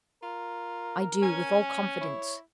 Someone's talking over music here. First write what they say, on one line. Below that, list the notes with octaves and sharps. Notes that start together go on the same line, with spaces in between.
"I do, with all confidence."
F4 A#4
C#4 G#5
E4 C#5